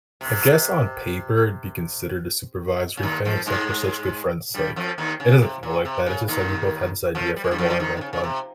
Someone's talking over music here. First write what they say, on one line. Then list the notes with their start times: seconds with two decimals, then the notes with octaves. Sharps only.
I guess on paper, it'd be considered a supervisory thing, except we're such good friends, it's, like it doesn't feel like that, it's just, like, we both had this idea for a volleyball club.
0.21 C3
2.97 C#3
3.03 D#2 D#3
3.25 F2 F3
3.46 G#2 G#3
4.54 G2 G3
4.76 F2 F3
4.98 D#2 D#3
5.20 C#3
5.42 C3
5.63 A#2
5.85 C3
6.06 C#3
6.28 D#2 D#3
7.15 F2 F3
7.36 G3
7.44 G#3
7.51 G2 G3
7.58 F2 F3
7.70 F3
7.80 D#2 D#3
7.97 D#3
8.01 C#3
8.13 C#3
8.24 C3